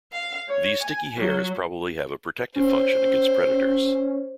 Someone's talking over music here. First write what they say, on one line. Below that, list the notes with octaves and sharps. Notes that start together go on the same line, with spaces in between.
These sticky hairs probably have a protective function against predators.
F5
C#5
G#5
F#3
C#4 C5